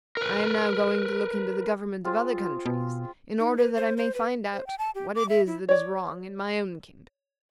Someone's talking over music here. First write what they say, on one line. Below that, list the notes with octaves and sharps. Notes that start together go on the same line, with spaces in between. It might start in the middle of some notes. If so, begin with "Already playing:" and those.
I am now going to look into the government of other countries in order that I may find out what it is that is wrong in my own kingdom.
A#4 B4
C4 F4 G#4
B2
D#4
B4
C5
C5
B4
C5
G5
A5
G4
D6
E5
E4
C#5 D5